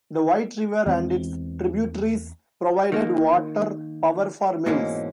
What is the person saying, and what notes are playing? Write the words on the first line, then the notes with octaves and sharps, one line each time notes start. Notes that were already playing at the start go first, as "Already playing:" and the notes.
The White River and its tributaries provided water power for mills.
E2 E3 G#3 C4
D#3 A#3
G#2 B2 E3 G#3 A#3 C#4